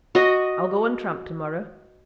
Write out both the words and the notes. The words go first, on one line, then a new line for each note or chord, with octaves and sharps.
I'll go on tramp to-morrow.
F#4 D#5